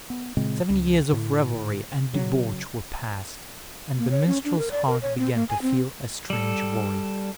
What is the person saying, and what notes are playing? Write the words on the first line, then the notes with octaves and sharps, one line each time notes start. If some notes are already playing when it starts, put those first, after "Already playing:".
Seven years of revelry and debauch were passed, and the minstrel's heart began to feel a strange void.
B3
A#2 C#3 G#3 C4
C#2
A2 D3
C#3 F#3
A#3
C#5
C#4
D4
A#4
D5
A#4
C#5
C4
A#3
G#5
C4
G3 A4